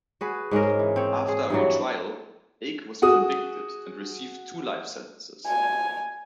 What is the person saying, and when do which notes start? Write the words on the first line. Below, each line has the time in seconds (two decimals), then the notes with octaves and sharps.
After a retrial, Ake was convicted and received two life sentences.
0.21 F#4 G#4 B4
0.51 G#2 G#3 C#4 A#4
0.79 E3
0.96 C4 C#5
1.28 G#4
1.50 G2 E3 F#3
3.02 F#4 G#4 D#6
5.47 G#5